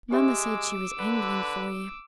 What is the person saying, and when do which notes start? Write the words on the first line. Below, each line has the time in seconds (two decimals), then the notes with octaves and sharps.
Mamma said she was angling for you.
0.12 G#3 G4 E5 D6 E6
0.99 D3 B4